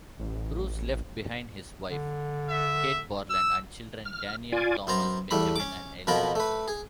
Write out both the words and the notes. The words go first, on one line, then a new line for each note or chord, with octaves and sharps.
Bruce left behind his wife, Kate Borland, and children Daniel, Thomas, Benjamin and Elizabeth.
A1
D3
E5
E6
F6
F4 D5 G#5
F#2 B3 C5 A#5
E2 G3 A3 B5
C#4 D6
F2 B2 F3 B3 A#4 B5
A3 B4
G#4